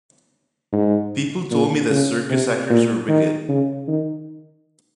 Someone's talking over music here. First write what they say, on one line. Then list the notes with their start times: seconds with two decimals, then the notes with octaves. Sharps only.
People told me that circus actors were wicked.
0.73 G#2
1.51 A#2
1.90 C#3
2.30 C3
2.70 A#2
3.09 D#3
3.49 C#3
3.88 D#3